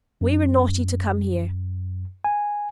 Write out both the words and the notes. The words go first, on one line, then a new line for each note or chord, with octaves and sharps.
We were naughty to come here.
F#2
G#5